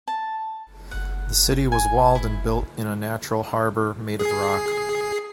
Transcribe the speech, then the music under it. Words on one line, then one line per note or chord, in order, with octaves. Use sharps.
The city was walled and built in a natural harbour made of rock.
A5
F#5
G#5
E4
G#4 C7